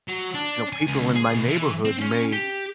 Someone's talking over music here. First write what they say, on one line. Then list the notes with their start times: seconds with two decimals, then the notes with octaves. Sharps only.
you know, people in my neighborhood may
0.08 F#3
0.34 D4
0.73 G#5
0.87 C#2
1.16 G#4
1.34 B2
1.48 E3
1.85 C4
2.01 C#4
2.33 G4